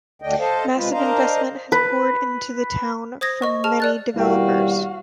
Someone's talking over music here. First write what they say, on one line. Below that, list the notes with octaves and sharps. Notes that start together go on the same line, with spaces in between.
Massive investment has poured into the town from many developers.
D2 D3 D4 D#5 G5
A4 C5 D#5 F5 A5
C3 G#3 F4 B4
D4 A#4 C5 D#5 F5 A#5
B4
C5 D#6 G#6 A#6
D#5 C#6
G#4 A5 F6 F7
D5 F#6 A6
D#2 B2 G3 E4 F#4 A#4 F5 G5